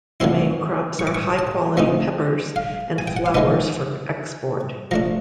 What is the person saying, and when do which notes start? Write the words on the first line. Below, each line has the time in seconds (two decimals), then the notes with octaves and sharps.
The main crops are high quality peppers and flowers for export.
0.20 D3 F3 A3 C4 E4 C6
0.99 C#6
1.07 D6
1.15 C#6
1.39 A5
1.77 F3 A3 C4 D#4
2.56 F5
2.98 G#5
3.08 G5
3.17 F#5
3.26 F5
3.34 D#3 G#3 B3 D#4 E5
4.91 F3 A3 D4 A#5